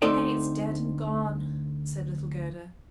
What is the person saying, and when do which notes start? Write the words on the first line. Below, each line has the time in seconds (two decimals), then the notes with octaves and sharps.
"Kay is dead and gone!" said little Gerda.
0.02 D2 A3 C4 D#4 A4 D5